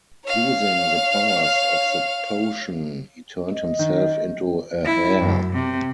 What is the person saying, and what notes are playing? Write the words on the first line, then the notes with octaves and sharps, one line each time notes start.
Using the powers of the potion he turned himself into a hare.
C#5 F5
D#5
D#3
E4
F#2
C3